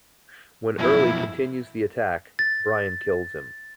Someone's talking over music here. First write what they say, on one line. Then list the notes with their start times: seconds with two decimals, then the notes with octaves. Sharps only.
When Early continues the attack, Brian kills him.
0.79 F#2 B2 F3 E4
2.39 A6